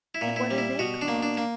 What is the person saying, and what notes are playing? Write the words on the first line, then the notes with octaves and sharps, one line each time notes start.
"And what are they called?"
E4
A#2
E4
G3
E4
B2 F#4
D4
A#3
D4
A#3